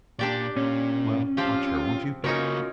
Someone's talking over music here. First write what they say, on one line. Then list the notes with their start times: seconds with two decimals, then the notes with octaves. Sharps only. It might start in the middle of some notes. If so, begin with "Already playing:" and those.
Well, watch her, won't you?...
0.19 A#2 D4 G4 D5
0.56 A#2 C#4
1.37 F3 C4 F4 G4
2.24 C#3 A#3 C#4 D#4 F4 F#4 A#4 C#5